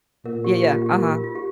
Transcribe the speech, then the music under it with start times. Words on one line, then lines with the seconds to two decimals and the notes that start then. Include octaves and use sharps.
Yeah, yeah. Uh-huh.
0.26 A#2 A#4
0.44 G4
0.62 F4
0.74 G4
0.86 G4
0.99 A#4
1.10 F4
1.24 F4
1.35 G4